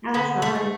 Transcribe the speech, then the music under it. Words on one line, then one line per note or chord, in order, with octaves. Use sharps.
No, that's nice.
D3 B3
A3
A3